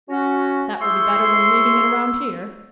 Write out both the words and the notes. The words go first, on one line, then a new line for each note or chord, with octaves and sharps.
That will be better than leaving it around here.
C#4 F#4
E4 G#4 C5 C6 C#6 E6